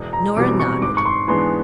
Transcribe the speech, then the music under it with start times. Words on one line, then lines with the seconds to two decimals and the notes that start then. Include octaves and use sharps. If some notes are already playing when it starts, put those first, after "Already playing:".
Nora nodded.
Already playing: E1
0.13 A#5
0.36 E2 B2 G3 C4 D6
0.60 C#6
0.81 G#2 D6
0.97 C#6
1.06 C6
1.28 E3 G#3 B3 D4 C6